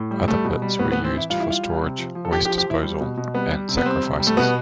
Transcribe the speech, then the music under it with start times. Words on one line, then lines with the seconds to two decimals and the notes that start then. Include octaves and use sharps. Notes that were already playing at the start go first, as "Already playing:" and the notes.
Other pits were used for storage, waste disposal and sacrifices.
Already playing: A2
0.11 G3
0.28 G3 A3
0.45 B2
0.62 G3
0.79 A2 B3
0.92 B3
0.96 E3
1.05 C4
1.13 E3 E4
1.30 G3 F4
1.40 E4
1.47 G3 F4
1.64 G3
1.81 C3
1.98 F3
2.15 F3
2.25 A4
2.32 F3 G4
2.45 G4
2.49 F3
2.58 G4
2.66 F3 E4
2.83 G3
3.01 B2
3.17 B2
3.34 G3 B3
3.52 G3
3.69 C3
3.77 B3
3.86 G3 C4
4.03 C3
4.20 G3
4.27 A3
4.37 B2 B3